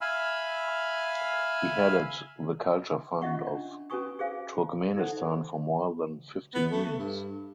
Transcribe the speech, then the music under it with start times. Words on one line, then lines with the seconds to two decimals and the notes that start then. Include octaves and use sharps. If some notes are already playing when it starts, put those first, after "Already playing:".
He headed the Culture Fund of Turkmenistan for more than fifteen years.
0.01 E5 F5 G#5 B5 E6 F6
3.21 C#4 F4 D#5 E5 F#5 C#6
3.47 D4
3.90 C#4 F#4 B4 G#5 C#6 D#6
4.19 G#4 C5 F5 G#5
4.96 D#4 E4 A4 C5 F#5
6.55 B3
6.71 A3
6.99 G2